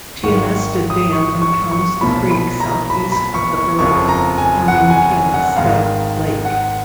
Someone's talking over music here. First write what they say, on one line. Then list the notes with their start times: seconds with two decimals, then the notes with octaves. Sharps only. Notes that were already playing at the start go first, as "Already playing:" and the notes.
Tionesta Dam impounds the creek southeast of the borough, forming Tionesta Lake.
0.23 G#1 G#2 D#3 C#6
0.46 C#6
0.90 D#6
1.12 C#6
1.42 C#6
1.71 C#6
2.01 B1 A#2 F3 B5
2.31 B5
2.60 A#5
2.90 B5
3.12 B5
3.34 C#6
3.57 C#6
3.79 F#1 F2 F3 C#6
4.09 A#5
4.38 G#5
4.68 F#5
4.90 G#5
5.12 G#5
5.34 F#5
5.56 G#1 G#2 D#3 F5
6.45 F#5